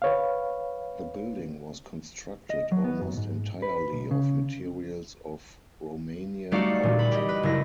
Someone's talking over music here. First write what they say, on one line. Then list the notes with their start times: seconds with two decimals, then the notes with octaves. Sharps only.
The building was constructed almost entirely of materials of Romanian origin.
0.02 B4 C#5 F5
2.50 D#5
2.72 F#3
2.84 B3
3.01 F#2
3.17 G#2
3.62 B4
3.93 B1
4.11 C#3
6.51 G3 A3 D#4 F#4 D5 F5
6.83 A#2 E3
6.99 B5
7.11 G4 D#5
7.29 B4
7.43 F#1 E4 A#6